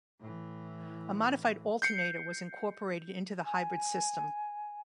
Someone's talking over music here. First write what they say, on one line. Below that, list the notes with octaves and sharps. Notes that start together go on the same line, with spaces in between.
A modified alternator was incorporated into the hybrid system.
A2 E3
G6 C7 C#7
G#5